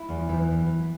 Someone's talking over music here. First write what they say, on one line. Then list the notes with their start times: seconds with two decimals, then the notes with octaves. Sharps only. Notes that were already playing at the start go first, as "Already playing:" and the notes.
You're moving.
Already playing: E4
0.09 E2
0.29 E3